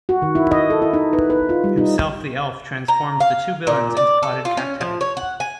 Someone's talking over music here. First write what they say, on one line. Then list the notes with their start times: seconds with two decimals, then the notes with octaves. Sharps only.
Himself the elf transforms the two villains into potted cacti.
0.09 F#4
0.22 D#3
0.35 E4
0.51 D#5
0.70 A4
0.82 E4
0.94 D#4
1.13 B4
1.30 B4
1.49 F4
1.64 G3
1.77 D#4
2.88 A#5
3.20 F5
3.67 A#2
3.97 D5
4.23 A4
4.45 F4
4.57 C#4
4.81 F3
5.01 C#5
5.17 F#5
5.40 G#5